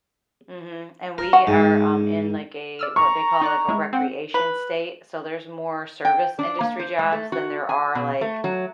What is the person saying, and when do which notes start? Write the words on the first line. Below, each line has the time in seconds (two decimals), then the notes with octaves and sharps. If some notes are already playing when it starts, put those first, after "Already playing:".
Mhm. And we are, um, in, like, a what they call, like, a recreation state. So there's more service industry jobs than there are like
1.18 A#4
1.33 F#4
1.47 G#2
2.79 D5 E6 F6
2.96 A#5 C#6
3.42 D#4 D5 F#6
3.69 G#3 E4
3.93 C4 F#5
4.34 B4
6.05 G5
6.39 D4
6.61 A#3
6.80 C5
6.99 G#3
7.12 A3
7.32 F#4
7.69 G#5
7.95 B2
8.21 A3
8.44 F#3